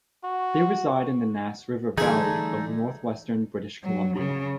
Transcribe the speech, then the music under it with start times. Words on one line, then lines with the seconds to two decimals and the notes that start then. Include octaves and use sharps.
They reside in the Nass River valley of northwestern British Columbia.
0.24 F#4
1.98 D3 E3 G3 A3 D#4 G#4 E5 G#5
3.84 F#3
4.18 C#3